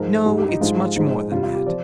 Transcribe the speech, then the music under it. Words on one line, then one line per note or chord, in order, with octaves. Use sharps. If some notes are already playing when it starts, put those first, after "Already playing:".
No, it's much more than that.
Already playing: G#2 F3 G#3 A#4
G#2 G3
G4
D#4
G#2 F3 G#3 F4
F4
G#2 F3 G#3 D#4
C3 G3 F4
F4
G4
F3 D5